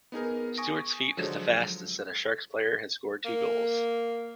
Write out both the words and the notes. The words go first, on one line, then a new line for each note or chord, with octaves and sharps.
Stuart's feat is the fastest that a Sharks player has scored two goals.
B3 D#4 G#4 A#4
G#5 C#6 D#6 A#6 D7
D3 F3 F#3 G#3
A#3